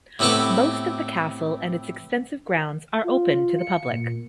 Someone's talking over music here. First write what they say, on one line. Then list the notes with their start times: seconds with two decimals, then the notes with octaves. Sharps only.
Most of the castle and its extensive grounds are open to the public.
0.19 A2 C3 B3 A4 C#6 D6
3.04 F4
3.28 F4
3.59 C#7
3.92 A#2